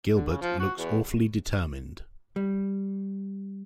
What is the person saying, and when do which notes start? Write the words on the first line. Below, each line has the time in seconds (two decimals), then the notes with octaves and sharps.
Gilbert looks awfully determined.
0.15 D3
0.28 C#3
0.41 F3
0.59 F#4
0.78 E2
2.36 G3